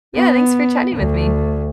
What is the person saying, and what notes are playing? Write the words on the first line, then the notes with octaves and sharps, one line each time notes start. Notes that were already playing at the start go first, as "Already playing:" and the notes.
Yeah, thanks for chatting with me.
B3
D2